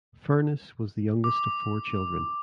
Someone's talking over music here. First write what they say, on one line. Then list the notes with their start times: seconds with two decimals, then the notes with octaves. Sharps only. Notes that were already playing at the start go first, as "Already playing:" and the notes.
Furness was the youngest of four children.
1.24 D6